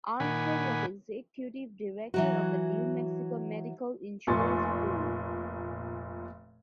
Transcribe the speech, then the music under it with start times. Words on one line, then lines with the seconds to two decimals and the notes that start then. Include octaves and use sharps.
Armstrong was executive director of the New Mexico Medical Insurance Pool.
0.20 A#2 D#3 F#5 G#5 B5
2.14 E3 F#3 F#4
4.27 F1 A#2 G#5 C6 C#6 A6